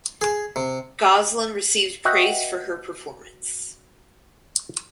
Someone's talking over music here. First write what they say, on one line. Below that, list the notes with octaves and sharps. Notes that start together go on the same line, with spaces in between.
Gosselin received praise for her performance.
G#4
C3
F#4 B4 D#5 E5 F#5 G5